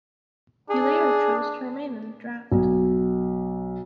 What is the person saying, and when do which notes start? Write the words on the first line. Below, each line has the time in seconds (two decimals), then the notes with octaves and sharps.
He later chose to remain in the draft.
0.70 D4 G#4
2.52 B1